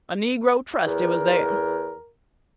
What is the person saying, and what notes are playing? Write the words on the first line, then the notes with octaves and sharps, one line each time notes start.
A negro trusty was there.
E2 A#4